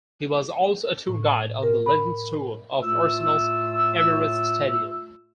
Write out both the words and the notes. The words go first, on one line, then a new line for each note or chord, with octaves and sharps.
He was also a tour guide on the "Legend's Tour" of Arsenal's Emirates Stadium.
A2
A#4
B5
A2 A3 F4 E6